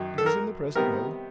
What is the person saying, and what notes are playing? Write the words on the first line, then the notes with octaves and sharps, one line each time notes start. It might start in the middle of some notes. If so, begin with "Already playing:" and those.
It is in the present mode.
Already playing: F#2 D#3 F#3
A4
A#4
C3 D#3 G3 B3 A#4